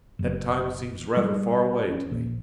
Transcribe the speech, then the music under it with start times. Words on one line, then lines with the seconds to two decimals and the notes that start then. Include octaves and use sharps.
"That time seems rather far away to me."
0.19 F#1
1.17 G3
1.90 C#4
2.11 A#1